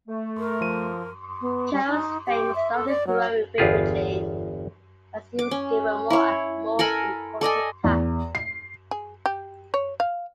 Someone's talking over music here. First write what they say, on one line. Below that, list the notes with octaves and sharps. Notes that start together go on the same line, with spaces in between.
Kerll's fame started growing rapidly as he was given more and more important tasks.
A3
A#4
F3 D#7
B3
G3
D#4
G4
E5
A4
D5
F#3
G1 E2 F4 G4 G#4
D6
C#4
E4 C#5
A4 A#4 G#5 B5
A4 D5 D#5 G#5
E2
C7
G#4
G4
C#5
F5